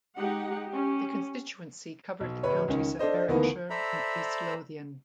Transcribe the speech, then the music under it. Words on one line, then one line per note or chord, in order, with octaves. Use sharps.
The constituency covered the counties of Berwickshire and East Lothian.
G#3 D#4 G4 F#5
C#4 G4
B1
D1 B4 C#5
C#2 D#3 C#4
D4 A4 C5 D#5
D2 D#3 E3 A#3 B3
A4 C5 D5 E5 A#5 B5